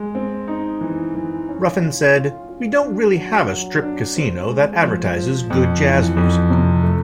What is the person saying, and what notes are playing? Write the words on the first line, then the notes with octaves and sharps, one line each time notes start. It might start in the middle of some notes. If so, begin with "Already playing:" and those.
Ruffin said, We don't really have a Strip casino that advertises good jazz music.
Already playing: G#3
C4
D#4
E3
E3
C#4
F4
F4
F4
D4
F#3
F#3
D4
C4
G#3
F3
F3
F2
E3
F2
C3
A3